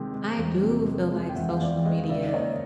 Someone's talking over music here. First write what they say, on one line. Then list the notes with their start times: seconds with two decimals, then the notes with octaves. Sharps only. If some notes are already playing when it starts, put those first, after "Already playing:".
I do feel like social media
Already playing: C3 D#3 G#3 G5
0.13 G#3
0.37 E2
0.63 C3
0.87 G#3
1.11 G#3
1.29 G5
1.36 E2 E5 F#5
1.49 F5
1.60 E2 D5 E5
1.85 G#3 D#5 F5
2.09 C#3 D5 E5
2.29 D5
2.34 A#3 C#5 D#5